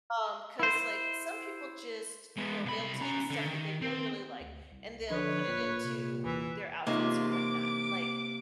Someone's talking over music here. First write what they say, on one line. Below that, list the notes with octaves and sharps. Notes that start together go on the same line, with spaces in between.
Um, 'cause, like, some people just, you know, they'll take stuff that they really, really like, and they'll put it into their outfits or whatnot. Like,
E4 C5
G#3 B3
C2 B5
C#4 A#5
D3
D#3
C4
D2
C2
D3 F3 B4 C#5
D1 A#2
C3
D#2 E3 E5
E2 C3 A#3 D#4 F4 C#5
D6